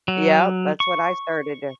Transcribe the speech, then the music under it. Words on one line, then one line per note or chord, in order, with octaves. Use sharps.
Yup, that's what I started to
F#3
C#6